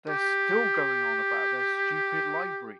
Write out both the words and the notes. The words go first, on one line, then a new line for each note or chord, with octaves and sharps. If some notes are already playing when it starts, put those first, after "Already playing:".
They're still going on about their stupid library!
G4